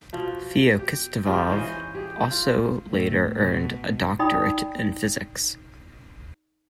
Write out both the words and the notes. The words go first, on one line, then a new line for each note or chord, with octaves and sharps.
Feoktistov also later earned a doctorate in physics.
B2 F3
G4
F4 G4
E3 C#4 C5 D#5
G4 G#4
F4
A2
B2
D#4 D5 G5 B5 D#6